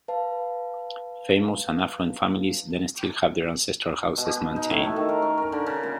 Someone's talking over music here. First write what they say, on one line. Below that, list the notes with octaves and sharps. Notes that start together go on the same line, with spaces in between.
Famous and affluent families then still have their ancestral houses maintained.
B4 F5 A5
B2
B4
D#4
A2
A3
D#3
A#4
C#4
A#4
D3
C#3
A#2